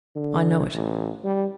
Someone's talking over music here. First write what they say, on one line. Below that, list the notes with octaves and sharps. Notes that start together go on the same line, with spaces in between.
I know it.
D3
A1
G3